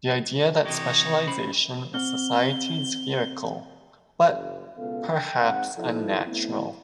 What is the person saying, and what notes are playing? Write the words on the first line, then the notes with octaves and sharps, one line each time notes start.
The idea that specialization is society's vehicle, but perhaps unnatural.
C3 E3 D#4 F#4 G4 C#5
C#4 C5 B5
C4 G7
F#1
C#2 B2 B3 A4 F5
D3 G5
G#2 C4 F#5
B2 F3 D#4 E4 A4
A3 B3 C4 E4